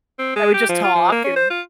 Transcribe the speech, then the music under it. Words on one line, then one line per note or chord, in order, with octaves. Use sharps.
And we'd just talk and
C4
G#3
G4
F3
F4
F3
A#3
C#4
C5
F4